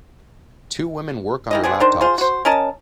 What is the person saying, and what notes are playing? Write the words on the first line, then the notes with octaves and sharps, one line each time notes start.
Two women work on their laptops.
D#3 E3 D#5
B3 C4 D4 G#4
D#3 D4 C5
F4 G#4 C5
F#4 C5
C#4 A#4 D#5 A5